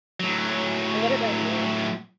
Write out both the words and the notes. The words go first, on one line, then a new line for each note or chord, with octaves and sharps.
And what about you?
A2 F#3